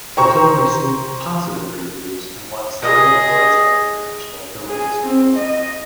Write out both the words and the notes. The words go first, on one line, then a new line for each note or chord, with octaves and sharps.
The film received positive reviews and won several awards at international film festivals.
C5 G5 A#5 C#6
G#4 D#5
G#4
C4
D#5